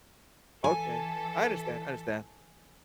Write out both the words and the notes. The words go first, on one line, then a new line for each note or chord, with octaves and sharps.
Okay. I understand, I understand.
E3 A4 G#5